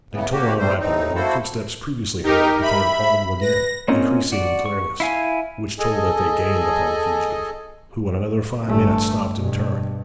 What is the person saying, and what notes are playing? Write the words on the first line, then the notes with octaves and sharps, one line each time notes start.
They tore on rapidly, and the footsteps previously heard became audible again, increasing in clearness, which told that they gained upon the fugitive, who in another five minutes stopped and turned.
A2 C#3 E3 B3
A#3 F#4 G4
G3 A3 C4 C5
A2 C4 D#4
A#3 E4 F#4 A4 C5
D#4 G4 A#4
E5 B5
B4 A#6
A#3 C4 C#4 D#4 F4
F#4 D5
C#6
E4 F5 G#5
G#4 A4 D#5 G#5
G1 A3
G2 B2